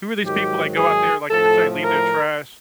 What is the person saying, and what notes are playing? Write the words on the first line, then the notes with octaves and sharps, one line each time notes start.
who are these people that go out there, like you were saying, leave their trash?
G#2 D#3 F#3 G4
G#4
A2 F3 A4
A#4